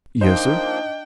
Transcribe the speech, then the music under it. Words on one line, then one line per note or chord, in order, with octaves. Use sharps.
"Yes, sir."
F3 A#3 D4 D#4 C5 D#5 G5